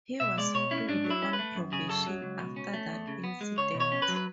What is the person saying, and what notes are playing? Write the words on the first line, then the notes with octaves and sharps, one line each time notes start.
He was freed on probation after that incident.
B2 E5
G#3 D5
B2 C#5
C#4 E4
G#2 D4
F#3
E4
C#4
B4
A3
F#2
C#3 G#4
F#2 A4
F#3
C#2
B2
C#4
A3
E2
C#3
B3
G#3
C#2 C#5
B2
C#5
C#4
B4
F#3
B4